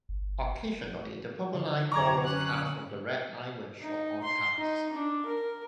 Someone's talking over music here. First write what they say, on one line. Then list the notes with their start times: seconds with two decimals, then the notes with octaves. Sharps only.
Occasionally, the Purple Line borrows cars from the Red Line when short on cars.
0.09 G1
1.53 D3 D#4
1.92 F#1 F4 A#5 C#6 D6 G#6
2.25 C#4 F#6
3.83 D#4
4.24 C6
4.58 D#4
4.93 D4
5.26 A#4